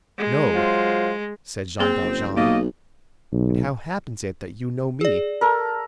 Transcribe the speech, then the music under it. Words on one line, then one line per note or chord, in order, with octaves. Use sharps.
"No," said Jean Valjean; "and how happens it that you know me?"
G#3
F#3 F4 C5
A#3 C4 G#4
F#1
B1 A3 A#3 G4 D#5
B1
G#4 D5
A4 A#4